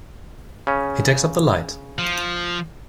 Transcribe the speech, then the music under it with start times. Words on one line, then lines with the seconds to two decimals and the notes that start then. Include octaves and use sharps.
He takes up the light.
0.67 C#3 C#4
1.99 F3